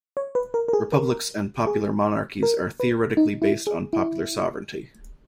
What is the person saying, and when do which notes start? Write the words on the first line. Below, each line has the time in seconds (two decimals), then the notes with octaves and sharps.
Republics and popular monarchies are theoretically based on popular sovereignty.
0.17 C#5
0.35 B4
0.54 A#4
0.68 A#4
0.73 G#4
0.92 A#4
1.67 G#4
2.43 A#4
2.80 B4
3.17 D#4
3.42 E4
3.67 G#4
3.93 E4